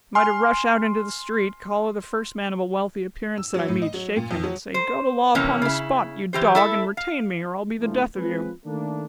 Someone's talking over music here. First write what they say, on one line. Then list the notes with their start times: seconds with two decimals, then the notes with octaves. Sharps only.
Am I to rush out into the street, collar the first man of a wealthy appearance that I meet, shake him, and say, "Go to law upon the spot, you dog, and retain me, or I'll be the death of you"?
0.15 G#5 C6 F6
3.38 E6
3.54 F#3
3.68 A2
3.82 D#5
3.94 F#3
4.16 A#2
4.31 F2
4.44 F#3
4.74 C5
5.35 F2 C3 E3 A#3 C#4
5.62 C#3 E4
6.33 E3 G4 C5
6.55 E4 A4 E5
6.97 F5
7.79 A2 D3 E3 F3
8.16 F3 G#3 C4 F4 G#4 B4
8.65 D#3 A3 A#3 D4